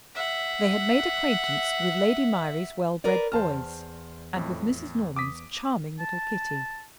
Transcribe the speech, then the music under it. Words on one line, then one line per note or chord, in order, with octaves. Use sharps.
They had made acquaintance with Lady Myrie's well-bred boys, and with Mrs. Norman's charming little Kitty.
E5 F#5
A#4 B4 D5
E2 C5 A5 F6
F2 A2
D6 D#6 B6
A5